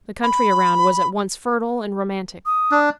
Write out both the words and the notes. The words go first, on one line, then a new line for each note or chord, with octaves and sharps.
The country around was at once fertile and romantic.
B5
D#6
D4